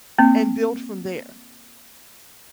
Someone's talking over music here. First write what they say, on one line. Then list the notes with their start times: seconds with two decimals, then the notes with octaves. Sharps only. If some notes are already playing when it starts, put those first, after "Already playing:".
And build from there,
0.18 A#3 C4